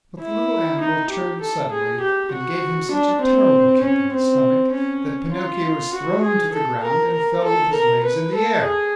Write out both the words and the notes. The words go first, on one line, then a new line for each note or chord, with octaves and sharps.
But the little animal turned suddenly and gave him such a terrible kick in the stomach that Pinocchio was thrown to the ground and fell with his legs in the air.
E4
D#4
G4
A4
G#4
G4
F#4
D4
C4
C#4
C4
C#4
F4
F#4
G#4
A4
A#4
A#4
A4
A#4
B4
A4
G#4